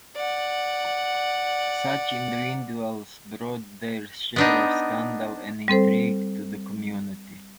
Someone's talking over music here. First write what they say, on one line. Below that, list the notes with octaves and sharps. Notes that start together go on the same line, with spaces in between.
Such individuals brought their share of scandal and intrigue to the community.
D5 F#5
B3 D4 D#4
G3 C4 A4 C5